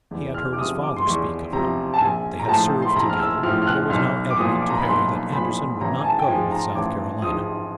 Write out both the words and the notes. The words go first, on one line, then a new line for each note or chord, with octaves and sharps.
He had heard his father speak of him; they had served together, but it was now evident to Harry that Anderson would not go with South Carolina.
E2
F6
D6
C3 F3 D#6
D6
C6
E2 C#6
C3 F3 A#5
A5
A#1 G#5
A#5
A2 F3 A5
C6
B5
A#1 A#5
F6
E6
A2 F3 F6
F6
F#6
B1 F6
D6
A#2 F3 D#6
D6
A#5
B5
B1 C6
A#2 F3 B5
A1 A#5
G#5
A5
G5
G#2 F3 G#5
A#5
A1 D6
G#2 F3 D#6